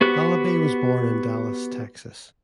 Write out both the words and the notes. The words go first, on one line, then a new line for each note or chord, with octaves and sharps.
Halaby was born in Dallas, Texas.
B3 F#4 G4 C5 F#6